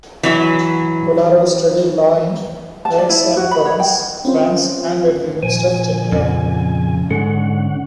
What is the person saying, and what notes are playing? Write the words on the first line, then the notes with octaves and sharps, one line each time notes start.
Kolarov studied law in Aix-en-Provence, France, and at the University of Geneva.
E3 F#3 E4
A5
D5
E4
F#4
B5
C#5
G5
C4 C#4 F4 C5
A#2 F3 G#5
F2 C#3
G#2 D3 C#4 F#5